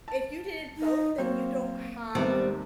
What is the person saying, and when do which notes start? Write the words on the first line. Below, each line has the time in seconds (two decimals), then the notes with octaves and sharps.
If you didn't vote, then you don't have"
0.08 A5
0.77 D#4
1.18 F#3 A#3 C4 C#5
2.15 D#2 G#2 C3 G3 B3 C4